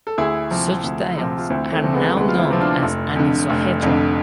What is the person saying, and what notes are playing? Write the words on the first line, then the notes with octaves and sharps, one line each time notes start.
Such tiles are now known as anisohedral.
A4
D2 E4 G#4
C3 F3
D2
C3 F3
F4
D2 C4 E4
A3 C4
C3 F3 A3
G#3 B3
D2 G#3 B3
F4
C4 E4
C3 F3
D4 F4
F1
F2 D3
F1
F2 D3